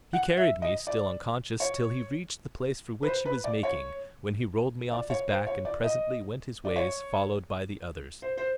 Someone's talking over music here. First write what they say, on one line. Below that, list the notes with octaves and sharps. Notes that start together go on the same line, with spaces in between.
He carried me still unconscious till he reached the place for which he was making, when he rolled me off his back and presently went his ways followed by the others.
F#5
E5
D#5
D5
C#5
B4
C5
B4
D5
C#5
D5
C#5
C5
C#5
D5
D#5
D5
C#5
C5
C5